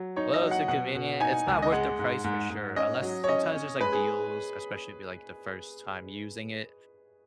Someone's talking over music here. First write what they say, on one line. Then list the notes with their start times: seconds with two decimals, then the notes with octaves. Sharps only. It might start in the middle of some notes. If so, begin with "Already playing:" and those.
Well, it's inconvenient, it's not worth their price for sure, unless sometimes there's like deals, especially if you're like the first time using it,
Already playing: F#3
0.16 D#4 C#5
0.34 D#5
0.42 F#3
0.51 F#5
0.68 B2 F#5
0.95 B2
1.20 D#4 G#5
1.47 C#2
1.62 D#5
1.72 G#3 F#5
1.99 G#2
2.24 G#2
2.50 G#2
2.76 C#4 D#5
3.02 F#3
3.24 C#5
3.29 C#4 D#5
3.54 C#4
3.80 G#3 B4
3.92 G#4